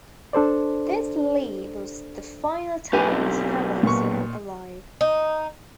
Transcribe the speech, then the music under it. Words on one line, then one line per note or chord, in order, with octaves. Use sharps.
This leave was the final time his family saw him alive.
D4 A4 C5 D5
B1 G4 B4 G#5
C4
A#2 C#6
D#4